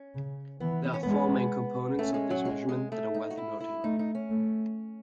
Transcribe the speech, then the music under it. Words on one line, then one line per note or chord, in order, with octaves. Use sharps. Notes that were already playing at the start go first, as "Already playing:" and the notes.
There are four main components of this measurement that are worth noting.
Already playing: C#4
C#3
E3 B3
B3
C#4
G#3 B3
A3 C#4
G#3
F#3
G#3
G#3
A3
D#4
F#4
E4
E4
A3 D#4
D#4
C#4
A3